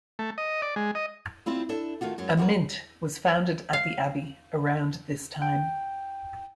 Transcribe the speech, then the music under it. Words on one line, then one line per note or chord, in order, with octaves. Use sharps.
A mint was founded at the Abbey around this time.
A3
D#5
D5
G#3
D#5
G3 C4 E4 F4
D4 E4 A4 E5
D#3 A3 F4 F#4
F#2 F#3 G#3
F2 F#4 G4 A#4 B4
F5
G5